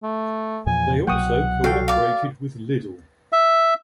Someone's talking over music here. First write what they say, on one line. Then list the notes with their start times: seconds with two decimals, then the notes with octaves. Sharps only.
They also cooperated with Lidl.
0.03 A3
0.66 E2 A#2 F3 G#5
1.07 C2 B2 F#3 F#5 G5 C#6 D#6
1.64 F#4 A4 F5 G5
1.88 D5 F5
3.33 E5